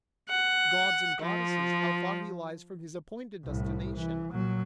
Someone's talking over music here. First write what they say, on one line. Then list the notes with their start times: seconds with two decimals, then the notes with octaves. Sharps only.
Gods and goddesses, how far he lies from his appointed destination!
0.31 F#5
1.23 F3
3.45 C2 A2
3.96 E3
4.29 A#2 F#3